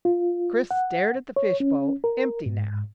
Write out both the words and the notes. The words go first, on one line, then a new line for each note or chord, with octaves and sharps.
Chris stared at the fishbowl, empty now.
F4
F#5
C#5
C#4
A#4
G#2